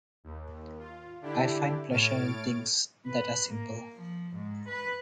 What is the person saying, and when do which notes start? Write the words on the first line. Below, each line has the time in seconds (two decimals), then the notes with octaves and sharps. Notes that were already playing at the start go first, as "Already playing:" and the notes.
I find pleasure in things that are simple.
0.24 D#2
0.79 F4
1.21 D3 D4 E4 G4
1.89 A2 C#5 F6 A6 D7
3.07 B4
3.48 A#3
3.94 F3
4.35 G#2
4.68 B4